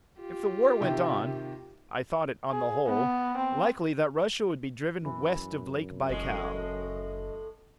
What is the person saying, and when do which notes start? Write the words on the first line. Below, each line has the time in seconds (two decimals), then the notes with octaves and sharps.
If the war went on, I thought it, on the whole, likely that Russia would be driven west of Lake Baikal.
0.20 F4 G4
0.81 C3 D#3 G5
2.51 G#4
2.87 B3
3.37 C4
5.02 F#2 E3
6.09 F#1 A2 G#3 D#5